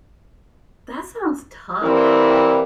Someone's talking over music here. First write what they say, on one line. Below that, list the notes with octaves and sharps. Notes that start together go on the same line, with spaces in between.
That sounds tough.
E3 G3 A#3 C4 E4